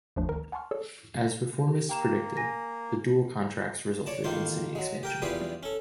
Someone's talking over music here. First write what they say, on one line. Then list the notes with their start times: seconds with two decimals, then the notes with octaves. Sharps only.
As reformists predicted the Dual Contracts resulted in city expansion.
0.16 G1 D#2 F3 A3 D4 C5
0.29 D2 D#3 A#4 A#5
0.52 F#5 G#5 A5 C6 C#6 F6
0.71 G#4 A4 C#5 D5 E6
1.68 G4
1.89 A#3 G5 A#5 E7
2.37 G#5 A#6
4.06 C#5 D5 A5
4.24 A1 D#3 A#3 F4 C5 C6
4.75 F#3 G#3
5.03 G4 A#4 G5
5.22 E2 G3 F4 G4 G#4 B4
5.63 C#4 A4